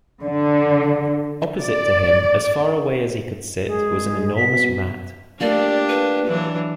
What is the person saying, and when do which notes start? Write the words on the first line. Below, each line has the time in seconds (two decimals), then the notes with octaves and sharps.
Opposite to him — as far away as he could sit — was an enormous rat.
0.22 D3
1.59 D5
3.67 G#3 G#4
4.36 B2 B6
5.40 A3 A#3 D4 F4 G4 D5
5.88 B4
6.26 E3 F#3 D4